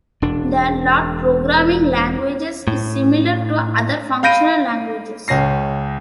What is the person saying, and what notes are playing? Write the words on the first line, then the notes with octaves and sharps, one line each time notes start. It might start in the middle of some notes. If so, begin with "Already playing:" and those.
The Lout programming language is similar to other functional languages.
E1 D4
A2
F5 B5 G6 A#6 D7 D#7
C#2 C#4 A#6 C7